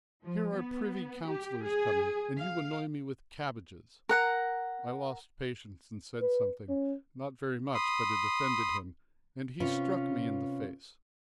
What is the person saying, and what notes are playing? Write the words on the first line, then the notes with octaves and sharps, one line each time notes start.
Here are privy councillors coming, and you annoy me with cabbages!' I lost patience and said something--not very much, but it offended him, and he struck me in the face.
F3
B3
G4
G#4
F5
A#4 F#5 A#5
B4
C#4
B5 C6 D#6
C3 C#4 F4 B4